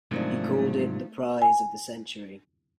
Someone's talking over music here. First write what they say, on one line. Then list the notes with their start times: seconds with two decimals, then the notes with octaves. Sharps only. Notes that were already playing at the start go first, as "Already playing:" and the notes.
He called it 'the prize of the century'.
0.11 G#2 C3 D#3 F3 F#3 A3 D4
1.42 G#5